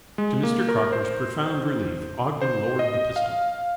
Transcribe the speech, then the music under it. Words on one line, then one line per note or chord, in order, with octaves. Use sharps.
To Mr. Crocker's profound relief Ogden lowered the pistol.
G#3
A#3
A#4
C5
C5
D#5
F5